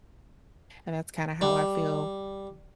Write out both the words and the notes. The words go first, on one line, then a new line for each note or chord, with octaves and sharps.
and that's kinda how I feel,
G3